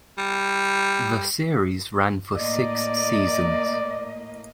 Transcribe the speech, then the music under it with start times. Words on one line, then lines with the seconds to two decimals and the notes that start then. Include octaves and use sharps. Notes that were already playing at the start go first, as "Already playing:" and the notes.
The series ran for six seasons.
0.18 G3
2.37 A2 A#3 D5 D#5